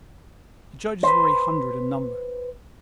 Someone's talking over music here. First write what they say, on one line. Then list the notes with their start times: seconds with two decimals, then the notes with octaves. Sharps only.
The judges were a hundred in number.
1.03 B4 C5